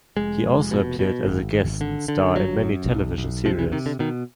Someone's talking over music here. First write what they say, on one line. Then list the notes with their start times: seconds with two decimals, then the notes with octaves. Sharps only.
He also appeared as a guest star in many television series.
0.17 F1 G#3
0.44 F1
0.71 B2
0.99 B2
1.26 G#1
1.53 G#1
1.81 D3
2.08 D3
2.35 G1 F#3
2.63 F#2
2.91 B1
3.18 B1
3.45 C3 F3
3.59 E3
3.72 C3 D#3
3.86 D3
3.99 B2 D#3